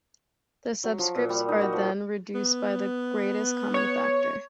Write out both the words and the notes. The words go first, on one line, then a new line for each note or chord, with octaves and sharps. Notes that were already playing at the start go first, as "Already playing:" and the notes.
The subscripts are then reduced by the greatest common factor.
F#3
F3
A#2
G3
D#4
F#4
F3
B3
C#5